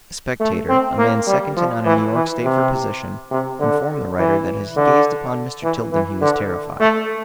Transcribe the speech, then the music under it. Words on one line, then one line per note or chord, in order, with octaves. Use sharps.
A spectator, a man second to none in New York State for position, informed the writer that as he gazed upon Mr. Tilden he was terrified.
A3
C4
A#3
G3
F3
E3
E3
C3
C3
D3
E3
D3
E3
E3
D3
A3